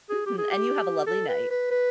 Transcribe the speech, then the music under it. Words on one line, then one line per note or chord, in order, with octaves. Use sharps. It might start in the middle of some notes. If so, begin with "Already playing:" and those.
Mhm, and you have a lovely night.
G#4
G4
G#4
G4
A4
B4
B4
B4